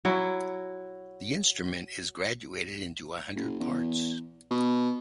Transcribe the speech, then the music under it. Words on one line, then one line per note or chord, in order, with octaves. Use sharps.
The instrument is graduated into a hundred parts.
F#3 E4 F#4
F#1
E2
B2